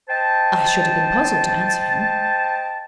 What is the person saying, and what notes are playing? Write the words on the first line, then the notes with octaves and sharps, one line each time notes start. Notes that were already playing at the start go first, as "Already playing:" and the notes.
I should have been puzzled to answer him.
C5 D#5 G5 A5